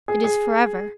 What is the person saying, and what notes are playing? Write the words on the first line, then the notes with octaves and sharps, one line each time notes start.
It is for ever.
G#4
G#4